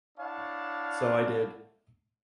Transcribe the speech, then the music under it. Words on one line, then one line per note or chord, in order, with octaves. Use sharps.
So I did.
D4 E4 C#5 F5 F#5 A5